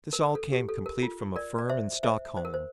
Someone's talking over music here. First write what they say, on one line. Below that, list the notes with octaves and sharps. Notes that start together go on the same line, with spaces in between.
This all came complete from a firm in Stockholm.
A#4
A4
G4
A4
A#4
F4
A#4 D5
D5
C5 E5
C5 E5
C5
A#4
C5